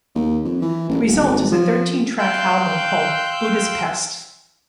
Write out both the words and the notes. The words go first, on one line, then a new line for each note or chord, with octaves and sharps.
The result is a thirteen-track album called "Buddha's Pest".
D#2
F2
E3
A1
D#1
G#1
F3
F5 G5 C6 E6 F#6 G6